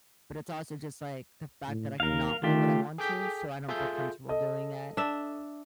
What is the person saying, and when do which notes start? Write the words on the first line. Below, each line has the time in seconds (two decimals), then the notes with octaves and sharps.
but it's also, just, like, the fact that I cannot wear what I want to so I don't feel comfortable doing it,
1.69 A2
2.00 D#2 A#4 F5
2.43 D#3 A3 F4 G4
2.98 G#4 A4 G5 D6 G6 B6
3.68 F4 G#4 A4 E5 C6 G6
4.29 A4 D#5
4.97 D4 E5